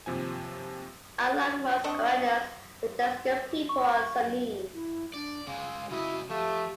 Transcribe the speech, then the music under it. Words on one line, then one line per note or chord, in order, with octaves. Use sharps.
Unlike most Iranians, the Dezgan people are Sunni.
D#2 C3 F3 G#5
C4 D4 D#5 C#6
C#6
E4
D4 D5
C#3 G#3 F5
C#3 E4 F#4 D#5
F3 A3 G4